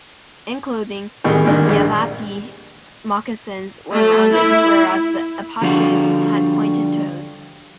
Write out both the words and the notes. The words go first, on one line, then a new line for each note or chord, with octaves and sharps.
In clothing, Yavapai moccasins were rounded, whereas the Apaches had pointed toes.
A2 C3 D#3 E3 G3 G#3
G2 A#2 D3 D#3
A#1 G2 G#3
A3
E4
D3 F3 G3 F4 F#4